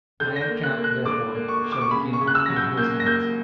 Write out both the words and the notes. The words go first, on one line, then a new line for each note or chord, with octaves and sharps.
My account, therefore, shall begin where his ends.
D3 G6
A#6
G6
A#3
F#6
A#3
F#6
D3 D6
A#3
C#6
A#3
D6
C#6
C#3 B5
C#6
C#3
F#6
E6
F#3 A#6
G6
A#3 G6
A#6
A#3 G6